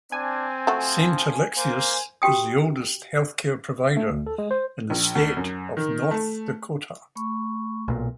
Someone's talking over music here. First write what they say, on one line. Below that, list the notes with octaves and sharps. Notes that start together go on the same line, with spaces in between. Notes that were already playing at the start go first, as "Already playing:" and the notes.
Saint Alexius is the oldest healthcare provider in the state of North Dakota.
C4 D4 G#5
F3 A3 F#4
A#3 C5
F#4 G4 G5 D#6
A3
D2
A4
G#3
C5
A#1
D2
F#2
D#3
A3
A3 B5 C#6
B1 A#2